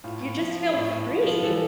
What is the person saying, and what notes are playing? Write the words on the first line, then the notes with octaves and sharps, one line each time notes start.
You just feel free.
A2 F4
A2
F3
F3
A2
A2
F3
F3
E3 A4